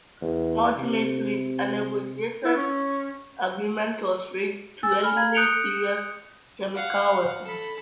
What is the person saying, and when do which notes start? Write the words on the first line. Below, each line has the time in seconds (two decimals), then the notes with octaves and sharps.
Ultimately a negotiated agreement was reached to eliminate Syria's chemical weapons.
0.22 E2
0.77 C3
2.44 E4
2.56 C#4
4.83 G#5 E6 A6
5.03 G#5 B5 F6
5.16 F5 A#5 G#6
5.35 D#6 F#6 G6 C#7 D7 F7
6.75 F5 F#5
7.45 A4 B5